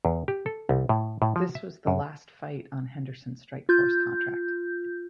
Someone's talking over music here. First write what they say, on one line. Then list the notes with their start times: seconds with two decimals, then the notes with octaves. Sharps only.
This was the last fight on Henderson's Strikeforce contract.
0.05 E2
0.28 G4
0.46 A4
0.69 C2
0.89 A2
1.22 A2
1.36 F3
1.55 E5
1.87 F#2
3.69 F4 G6